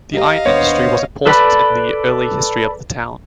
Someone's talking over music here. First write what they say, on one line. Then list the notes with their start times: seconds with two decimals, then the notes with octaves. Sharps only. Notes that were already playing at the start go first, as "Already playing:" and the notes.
The iron industry was important in the early history of the town.
0.14 G4 A#4 D#5 F5
0.46 D#2 B3 D4 C5 C#5
1.26 A4 B4 D5 B5